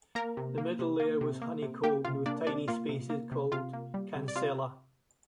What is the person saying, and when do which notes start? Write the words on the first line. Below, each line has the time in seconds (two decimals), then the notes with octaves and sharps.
The middle layer was honeycombed with tiny spaces called cancella.
0.15 A#3 A#4 A#5
0.37 C3
0.58 A#3
0.79 C3
1.00 A#3
1.21 C3
1.42 A#3
1.62 C3
1.83 A#3 G4 G5
2.05 C3 F4 F5
2.26 A#3 D4 D5
2.47 C3 D4 D5
2.68 A#3 F4 F5
2.89 C3
3.10 A#3
3.32 C3
3.52 C3 F4 F5
3.73 A#3
3.94 G3
4.16 C3
4.28 D5
4.36 C3 F4 F5